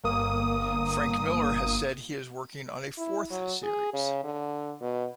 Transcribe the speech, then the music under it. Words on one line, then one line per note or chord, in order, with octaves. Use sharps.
Frank Miller has said he is working on a fourth series.
G1 A#3 D#6
E4
F#3
G#4
C#3
D3
B2